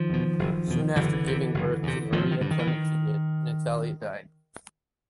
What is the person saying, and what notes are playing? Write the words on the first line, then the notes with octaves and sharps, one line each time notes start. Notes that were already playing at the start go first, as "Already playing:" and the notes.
Soon after giving birth to Maria Klementyna, Natalia died.
Already playing: D#3 F3
E2 B2
F#1
E2 B2
F#1 D3 E3
E2 C3
F#1
E2 C3
A1 D#3 F3
D#3
G2 D3
D#3
E3
D#3